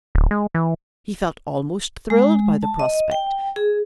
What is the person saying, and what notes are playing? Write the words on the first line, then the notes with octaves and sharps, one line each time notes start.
He felt almost thrilled by the prospect.
D1
G#3
E3
G#3
A5
D#5
G5
G#4